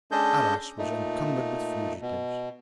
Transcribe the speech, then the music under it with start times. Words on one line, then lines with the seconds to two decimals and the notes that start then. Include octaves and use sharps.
Arras was encumbered with fugitives.
0.11 G#3 C#4 D4 A4 D#5 G6
0.78 A#2 A3 D#4
2.02 B2